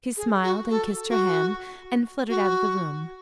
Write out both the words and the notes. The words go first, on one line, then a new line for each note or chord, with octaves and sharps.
She smiled, and kissed her hand, and fluttered out of the room.
G#4
F#4
A4
F#4
F#4